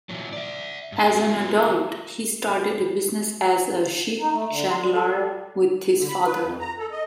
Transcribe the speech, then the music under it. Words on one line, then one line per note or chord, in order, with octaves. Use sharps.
As an adult, he started a business as a ship chandler with his father.
A#2 E3 F#3
D5 E5
G2 A5
B3 C4 F4 F#4 A#4
D#4
A3
D3
C6
G3
A4
G3
D3
B5
B4
F2
A#5
A4
D#5